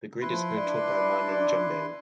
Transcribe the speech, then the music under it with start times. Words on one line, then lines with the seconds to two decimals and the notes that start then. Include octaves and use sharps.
The Grid is controlled by a man named Jumbo.
0.22 F3 E4 B4 C6
0.59 D4 D5